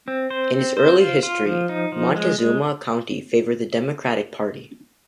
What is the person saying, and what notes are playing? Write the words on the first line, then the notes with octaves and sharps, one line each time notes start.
In its early history Montezuma County favoured the Democratic Party.
C4
C5
C4
C5
F4
F4
F3
D#4
F3
G#3
G#3